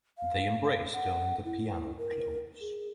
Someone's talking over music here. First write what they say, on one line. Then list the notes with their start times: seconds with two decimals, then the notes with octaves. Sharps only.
They embrace during the piano close.
0.18 F5
0.93 F#5
1.45 E4
1.99 A#4
2.61 G#4